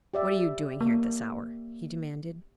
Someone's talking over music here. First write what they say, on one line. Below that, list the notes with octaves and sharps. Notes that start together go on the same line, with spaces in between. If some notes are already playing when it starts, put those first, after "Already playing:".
"What are you doing here at this hour?" he demanded.
G4 D5 E5
A#3